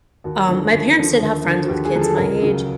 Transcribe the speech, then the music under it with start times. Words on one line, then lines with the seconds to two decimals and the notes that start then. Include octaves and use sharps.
um, my parents did have friends with kids my age,
0.24 D#2 F#4
0.49 D3 F3
0.73 D#2
0.97 D3 F3
1.21 D#2
1.45 D3 F3
1.63 F#4
1.68 D#2 G4
1.85 G#4
1.93 D3 F3
2.01 A4
2.17 C#2 A#4
2.41 C#3 F#3